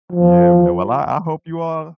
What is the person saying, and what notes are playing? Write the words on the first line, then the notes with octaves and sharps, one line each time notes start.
Yeah, man. Well, I I hope you all
F3